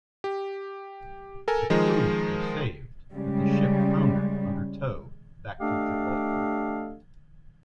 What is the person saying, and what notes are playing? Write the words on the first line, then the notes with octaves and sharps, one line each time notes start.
The crew were saved, but the ship foundered under tow back to Gibraltar.
G4
A4 A#4 G#5
D#3 F3 G#3 G#4 A#4
C#3 G3 G#3
A3 D4 G4 A4 D#5 F5